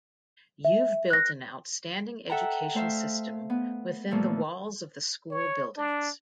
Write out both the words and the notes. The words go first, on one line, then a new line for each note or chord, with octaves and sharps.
You've built an outstanding education system within the walls of the school buildings.
E5
F#6 A#6
A4 E5 F#5 G5 A#5
A3 C5 E5 F5
B3
A#2 E3 F3 A3
C#5
D4